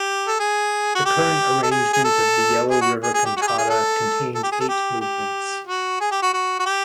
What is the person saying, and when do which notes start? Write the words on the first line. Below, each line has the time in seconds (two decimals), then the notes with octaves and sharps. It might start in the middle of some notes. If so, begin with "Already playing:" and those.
The current arrangement of the "Yellow River Cantata" contains eight movements.
Already playing: G4
0.28 A4
0.39 G#4
0.95 F#4
1.05 G4
1.63 A4
1.71 G#4
1.93 G#4
2.04 A4
2.71 G#4
2.81 F#4
3.03 G#4
3.14 G#4
3.25 G4
3.36 F#4
3.42 G#4
3.47 G4
3.58 G#4
3.69 A4
4.35 A4
4.43 G4
4.52 G#4
4.60 A4
4.68 G4
5.01 G4
5.67 F#4
6.00 G#4
6.11 G4
6.22 F#4
6.33 F#4
6.59 F#4
6.66 G4